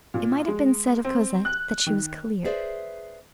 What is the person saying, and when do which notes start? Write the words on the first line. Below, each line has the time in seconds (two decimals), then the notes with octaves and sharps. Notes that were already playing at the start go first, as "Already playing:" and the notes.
It might have been said of Cosette that she was clear.
0.14 A#2
0.48 G#3
1.05 C4
1.45 F#6
1.86 D#3
2.45 G#4 B4 C5 D5 E5